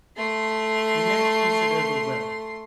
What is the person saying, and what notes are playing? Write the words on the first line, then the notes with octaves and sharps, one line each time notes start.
We next consider the will.
A3 C6